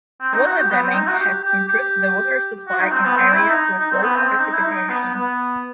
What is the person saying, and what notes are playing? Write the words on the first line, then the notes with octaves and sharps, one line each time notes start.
Water damming has improved the water supply in areas with low precipitation.
C4
D#4
F#4
G4
B3
C4
D#4
F#4
G4
G4
G4
F#4
D#4
C4
B3
C4
E4
D#4
D#4
C4
B3
C4
C4
D#4
E4
D#4
B3
B3